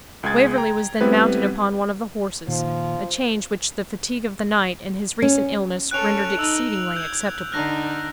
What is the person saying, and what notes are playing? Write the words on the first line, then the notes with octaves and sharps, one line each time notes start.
Waverley was then mounted upon one of the horses, a change which the fatigue of the night and his recent illness rendered exceedingly acceptable.
C#2 G#3 G#4 G#6 A6
G5 A#5
F2 G3 B3 C4 E4 B4
A#2 D#3 F3
C#4
C#4 A4 F#6 D7 F7
D#4 E6 F7 F#7
G6 G#6
D3 D4 D#4 F6 F#6 A#6